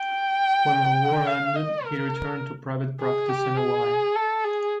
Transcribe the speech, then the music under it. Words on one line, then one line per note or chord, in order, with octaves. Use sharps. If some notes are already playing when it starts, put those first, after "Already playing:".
When the war ended he returned to private practice in Hawaii.
Already playing: G5
F5
D#5
A#4
G#4
G4
G#4
A4
G#4